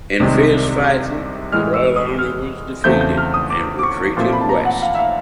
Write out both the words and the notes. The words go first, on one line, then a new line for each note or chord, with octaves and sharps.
In fierce fighting, the royal army was defeated and retreated west.
C2 C3 D#3 G#3
A2 E3 G#3 F6
E6
D#6
F6
E2 C#3 F3 A3 C4 G6
G6
F6
D#6
D6
D6
C#6
A#2 F3 A3 C4
B5
A5
A#5
F#5
F5
E5
F5